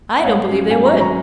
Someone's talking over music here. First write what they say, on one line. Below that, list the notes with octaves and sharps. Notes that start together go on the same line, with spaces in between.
'I don't believe they would.
F#5
G#2 C#5 F5
F#3 C#4
G#2 F5 G#5
A#5 C#6
F#3 C#4
A#5 C#6